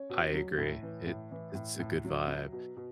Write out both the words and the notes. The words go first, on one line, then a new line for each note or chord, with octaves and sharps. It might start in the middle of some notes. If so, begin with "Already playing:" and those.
I agree. It it's a good vibe.
Already playing: C#4
B2
F#3
A2
E3
A2
E3
A2
A2
F#3
F#3
B2
B2